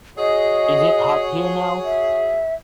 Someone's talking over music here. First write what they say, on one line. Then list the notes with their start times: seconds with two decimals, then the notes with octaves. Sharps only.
Is it hot here now?
0.18 F#4 G#4 C#5 D#5
1.84 E5